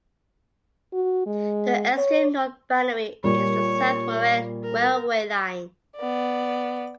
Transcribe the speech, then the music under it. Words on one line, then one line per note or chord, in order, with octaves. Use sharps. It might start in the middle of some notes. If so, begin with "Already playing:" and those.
The extreme north boundary is the South Morang railway line.
F#4
G#3
C#5
A#2 G3 C#5
A#4
B3 D5